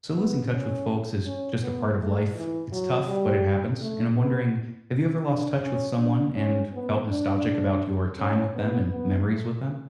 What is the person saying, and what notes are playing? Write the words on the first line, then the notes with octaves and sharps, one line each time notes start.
So losing touch with folks is just a part of life, it's tough, but it happens, and I'm wondering, have you ever lost touch with someone and felt nostalgic about your time with them and memories with them?
B3
C#4
C#4
B3
A3
E3
F#3
G3
A3
B3
D4
C#4
D4
C#4
B3
D4
C#4
B3
B3
A3